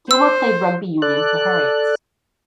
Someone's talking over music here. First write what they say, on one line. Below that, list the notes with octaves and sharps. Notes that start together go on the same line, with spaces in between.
Gilmour played rugby union for Heriots.
C5 E6
A4 D5 F#6